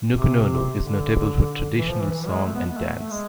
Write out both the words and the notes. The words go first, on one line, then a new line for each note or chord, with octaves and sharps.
Nukunonu is notable for traditional song and dance.
C3
D3
E3
F3
E3
E3
G#3
A3
B3
B3
A3
A3
A3
G#3